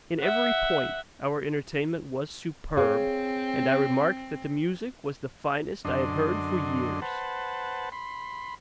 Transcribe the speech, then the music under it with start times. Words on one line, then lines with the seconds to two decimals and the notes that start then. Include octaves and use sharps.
In every point our entertainment was superb; and I remarked that the music was the finest I had heard for years.
0.20 E5 F#5
2.77 C4 G#4 C#5 F5
5.85 F#2 D3 D4 D#5 C6
7.02 B4 C5 F#5 A5
7.92 B5 C6